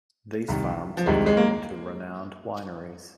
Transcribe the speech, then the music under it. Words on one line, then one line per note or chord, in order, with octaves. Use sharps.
These farms have grown into renowned wineries.
C2 C3 D#3
F3
C2 C3 D#3 G#3
G#3
A#3